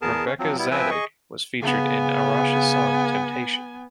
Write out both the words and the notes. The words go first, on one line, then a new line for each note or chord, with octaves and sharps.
Rebecca Zadig was featured in Arash's song "Temptation".
E2 B3 G#4 A#4 A5
C#4
F3 F#3 C4
G3 B3 E4
F3 C4 B4 E5 G5 G#5
G#4 D#5 C#6
C#3 B3 G#5